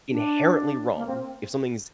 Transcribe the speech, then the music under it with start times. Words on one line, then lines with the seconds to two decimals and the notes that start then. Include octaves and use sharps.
inherently wrong, if something's
0.10 D4
0.96 A#3
1.07 C4